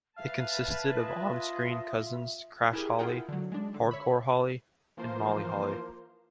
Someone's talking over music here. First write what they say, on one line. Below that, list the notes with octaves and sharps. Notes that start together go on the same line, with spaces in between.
It consisted of on-screen cousins Crash Holly, Hardcore Holly and Molly Holly.
B4 E5 F5 G#5 A5
F4 D#5
E4 G4 G#4 A#4
E4 F4 G#4 A#4 F#5 G5
D3 F#3
G#3 D4
D3
C#5 E5 B5
E3 F3 A#3 F4 A#4 C5